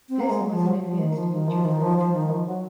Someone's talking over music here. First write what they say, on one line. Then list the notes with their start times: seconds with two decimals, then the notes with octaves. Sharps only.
This was an advanced feature for the time.
0.09 C4
0.20 A#3
0.29 G#3
0.40 F#3
0.50 F3
0.66 F#3
0.82 F3
0.98 D#3
1.15 F3
1.32 D#3
1.48 F3
1.65 D#3
1.81 F3
1.98 F3
2.13 D#3
2.30 F3
2.46 F#3